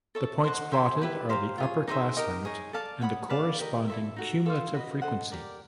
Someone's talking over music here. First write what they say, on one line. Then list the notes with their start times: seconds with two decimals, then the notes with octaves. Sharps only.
The points plotted are the upper class limit and the corresponding cumulative frequency.
0.15 A4 C#5 E5 A5
0.44 C5 D#5 F#5
0.72 C5 E5 G#5 C6
1.02 E4 G4 B4
1.29 G4 C5 F5 A#5
1.58 F4 G#4 C#5
1.87 D#4 G#4 C5 E5
2.16 D#4 G4 A#4 D#5
2.45 D#4 G#4 C#5
2.73 A4 D5 F5 A5
3.01 C#5 F#5 B5 D#6
3.30 B4 D5 F5 A5
3.59 G4 A#4 D#5
3.88 E4 A4 C5 E5
4.16 D#4 F#4 A4
4.45 F4 A4 C5 F5
4.74 F#4 B4 D#5
5.02 A4 C5 D#5 F#5
5.31 G4 A#4 D5